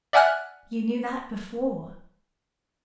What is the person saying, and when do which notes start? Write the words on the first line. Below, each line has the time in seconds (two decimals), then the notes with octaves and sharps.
"You knew that before."
0.13 D5 E5 F#5 G#5 F6 F#6